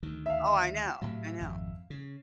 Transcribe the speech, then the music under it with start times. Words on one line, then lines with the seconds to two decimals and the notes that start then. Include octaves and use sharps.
Oh, I know, I know.
0.03 D2 D#3
0.26 E5 F5
1.02 A2 C3 F#3
1.40 G#1 F2
1.90 C#3